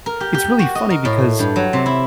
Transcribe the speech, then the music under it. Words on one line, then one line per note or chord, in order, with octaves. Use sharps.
It's really funny because
A#4
G4
G4
F#4
D#5
A#4
A2
G2
F#3
C3
E4